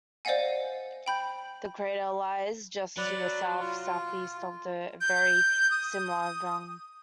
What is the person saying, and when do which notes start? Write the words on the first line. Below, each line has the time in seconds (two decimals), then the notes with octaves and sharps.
The crater lies just to the south-southeast of the very similar Runge.
0.25 C5 D5 D#5 F5 F#5 G#5
1.06 G5 B5 G6
2.97 F#3 B4 D5
3.59 F4
5.01 G6
5.71 D#6